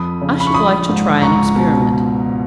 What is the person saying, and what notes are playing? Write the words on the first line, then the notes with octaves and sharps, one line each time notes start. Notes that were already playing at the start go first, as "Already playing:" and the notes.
I should like to try an experiment.
Already playing: F2 B5 D#6
C#3
B5
C#6
A#1 B5 D#6
G#2
C#2 A#5 C#6
B2